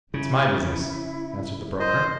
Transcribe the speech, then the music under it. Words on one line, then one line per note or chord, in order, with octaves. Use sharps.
"That's my business," answered the broker.
C#3 E4
C5 D#5